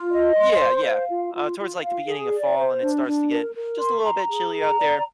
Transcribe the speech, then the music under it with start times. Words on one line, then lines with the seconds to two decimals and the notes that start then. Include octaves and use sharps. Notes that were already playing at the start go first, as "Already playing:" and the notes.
Yeah, yeah, uh, towards, like, the beginning of fall, and it starts to get just a little bit chilly out there.
Already playing: F4
0.11 D#5
0.36 C6
0.60 C5
0.84 F5
1.09 F4
1.34 F4
1.59 F4
1.83 F5
2.08 G#4
2.32 D5
2.57 C5
2.82 D4
3.07 D4
3.31 A#4
3.55 A#4
3.80 C6
4.04 A#5
4.29 G#4
4.54 A#5
4.78 D5